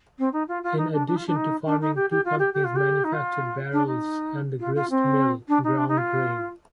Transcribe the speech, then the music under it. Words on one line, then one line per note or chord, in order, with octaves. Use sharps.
In addition to farming, two companies manufactured barrels and a grist mill ground grain.
C4
D#4
F4
F4
D#4
D4
D4
F4
D4
D#4
D4
D#4
G4
G4
F4
G4
G4
F4
G4
D#4
F4
D4
D#4
F4
F4
C4
D4
D#4
D4
D#4
F4